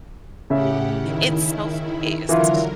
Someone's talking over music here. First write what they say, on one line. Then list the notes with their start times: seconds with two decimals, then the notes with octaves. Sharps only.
It's self-paced.
0.50 A2 C#3 G4 E5 F#5
1.00 D#3 E4
2.29 D3 E3 F#3 E4 F4 A#4